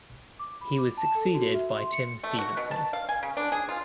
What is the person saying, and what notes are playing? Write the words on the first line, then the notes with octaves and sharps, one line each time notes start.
He was succeeded by Tim Stevenson.
D6
B5
D6
A5
A4
F#4
E5
C6
C#7
A3
F#4
B2
A5
F5
G#5
C#3
D4
G#4
F4